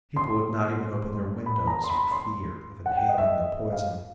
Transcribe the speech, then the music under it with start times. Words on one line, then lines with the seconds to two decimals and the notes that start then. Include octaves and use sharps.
People would not even open their windows for fear of inhaling the poison.
0.16 C6
1.46 B5
1.67 A#5
1.84 C6
1.90 B5
2.11 C6
2.86 F#5
2.97 G5
3.09 D#5
3.18 E5
3.40 D#5
3.73 F5